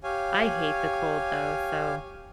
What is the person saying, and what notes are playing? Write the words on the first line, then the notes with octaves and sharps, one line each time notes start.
I hate the cold, though, so,
G4 C#5 F5 G#5